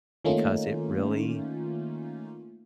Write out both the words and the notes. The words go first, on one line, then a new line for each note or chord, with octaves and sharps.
"because it really"
D#3 A3 A#3 C#4 D#4 F4